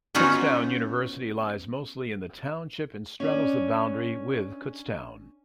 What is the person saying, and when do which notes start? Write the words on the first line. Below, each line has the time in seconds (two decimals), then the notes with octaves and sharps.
Kutztown University lies mostly in the township and straddles the boundary with Kutztown.
0.15 B3 C#4 D#4 F4 F#4
3.20 C#4 D4 D5